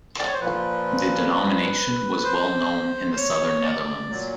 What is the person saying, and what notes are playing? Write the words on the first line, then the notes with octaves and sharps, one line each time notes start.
The denomination was well known in the Southern Netherlands.
D5
C#5
C5
A#2 F3 B4
C5
C5
C#5
D5
A#2 F#3